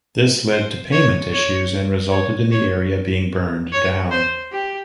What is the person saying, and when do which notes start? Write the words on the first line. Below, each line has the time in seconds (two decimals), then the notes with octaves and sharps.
This led to payment issues and resulted in the area being burned down.
0.53 C5
0.92 C#5
1.32 C#5
2.12 C#5
2.52 C#5
3.72 C#5
4.11 C5
4.52 G4